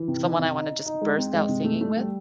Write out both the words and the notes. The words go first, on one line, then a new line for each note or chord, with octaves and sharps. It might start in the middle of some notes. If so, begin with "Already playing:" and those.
someone I wanna just burst out singing with.
Already playing: E3
C3
D#3
C3
D#4
D#4
D#4
G#3
C4
G#3
C3
A3
A3
G3